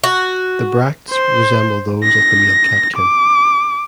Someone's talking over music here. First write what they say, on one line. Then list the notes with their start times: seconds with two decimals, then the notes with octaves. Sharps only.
The bracts resemble those of the male catkin.
0.04 F#4
1.10 C5
2.04 A#6
2.96 D6